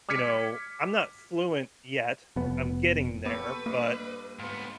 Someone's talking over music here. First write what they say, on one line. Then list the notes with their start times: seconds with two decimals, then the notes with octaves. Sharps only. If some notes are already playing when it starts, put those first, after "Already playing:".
you know, I'm not fluent yet. I'm getting there. But
0.09 D6 F6 G#6 B6 C#7
2.36 F1 B3
3.26 B3 G4 A4 B4 C#6
3.66 G2 A#3 D#5
4.39 G#2 B3 F4